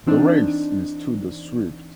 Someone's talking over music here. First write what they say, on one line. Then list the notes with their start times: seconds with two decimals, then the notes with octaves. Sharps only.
The race is to the swift.
0.07 E3 C4 D4 D#4